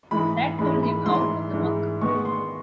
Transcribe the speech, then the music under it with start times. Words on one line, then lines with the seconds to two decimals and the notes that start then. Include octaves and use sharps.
That pulled him out of the muck.
0.11 G#2 E3 G#3 B5
0.59 G#2 E3 G#3 B5
0.83 B5
1.06 G#2 E3 G#3 C6
1.54 G#2 E3 G#3
2.01 D#3 G#3 B3 C#6
2.25 C6